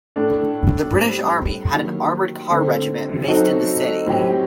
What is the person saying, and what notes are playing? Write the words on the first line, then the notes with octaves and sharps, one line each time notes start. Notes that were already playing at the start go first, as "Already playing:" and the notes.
The British Army had an armored car regiment based in the city.
A2 A3 D4 A4
A2 G3 C4
D#3 F#3 A#3
D3 A3 C4
F#3 C4 D#4 F#4 A4
A2 F#3 C4 G4